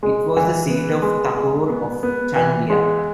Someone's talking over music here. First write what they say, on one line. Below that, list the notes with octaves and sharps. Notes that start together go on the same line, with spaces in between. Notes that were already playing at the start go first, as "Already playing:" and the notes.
It was the seat of Thakur of Chandia.
G#3
E3
B3
G#3
G#3
B3
B3
E3
G#3